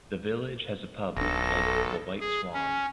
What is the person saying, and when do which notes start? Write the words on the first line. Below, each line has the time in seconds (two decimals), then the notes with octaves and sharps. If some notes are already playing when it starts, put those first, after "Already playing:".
The village has a pub called The White Swan.
1.17 D1 B1 D4 A4 A#6
2.20 G#4
2.54 C#4